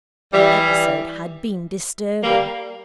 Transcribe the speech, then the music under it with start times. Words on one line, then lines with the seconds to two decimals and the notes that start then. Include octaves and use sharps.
The episode had been disturbing.
0.33 E3 G3
2.23 G3 A#3